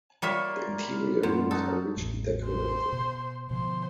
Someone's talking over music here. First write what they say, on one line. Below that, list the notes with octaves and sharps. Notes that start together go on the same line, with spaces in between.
The interior rooms are richly decorated.
G3 A#3 F4 C#5 D5 E5
B5
F#2 C6
D#4 F#4 A4
A1 E2 A2
C5
B2
B2 D3 F3 C5